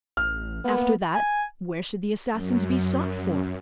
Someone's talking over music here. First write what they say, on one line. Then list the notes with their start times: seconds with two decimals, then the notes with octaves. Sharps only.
After that, where should the assassins be sought for?
0.17 A1 F6
0.65 A#3 B3
1.15 G#5
2.33 F#2